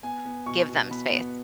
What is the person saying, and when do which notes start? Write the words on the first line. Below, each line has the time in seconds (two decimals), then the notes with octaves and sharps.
Give them space.
0.03 B3 G#5
0.26 B3
0.46 B2 C#6
0.69 B2
0.90 B3 B5
1.13 B3